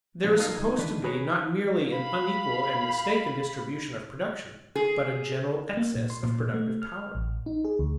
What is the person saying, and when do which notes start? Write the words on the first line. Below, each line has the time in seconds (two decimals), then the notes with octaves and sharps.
There is supposed to be not merely an unequal and mistaken distribution of production, but a general excess of productive power.
0.23 F2 A#2 C#3 E3 F3
0.37 A#3 D#4 A4 D#5 F5
0.55 C#2 D#4 G#6
0.78 D#2 D#3 E3 D4 B4
1.04 G#4 B4 C#5 A#5
1.27 B4 G5
1.91 F5 B5
4.75 G#4
5.77 A#3
5.95 A#2
6.10 C6
6.23 A#2
6.54 A3
6.82 F6
7.15 A1
7.46 D#4
7.65 G#4
7.79 D2